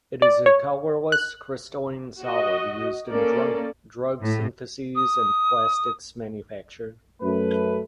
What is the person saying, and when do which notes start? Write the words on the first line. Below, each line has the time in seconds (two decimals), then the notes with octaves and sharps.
It is a colorless crystalline solid used in drug syntheses and plastics manufacture.
0.22 D5
0.46 C#5
1.12 F#6
2.22 F#4 D#5
3.09 A#3 C#4 A4 A#4 D5
4.22 A2
4.95 D#6
7.22 F#2 A3 B4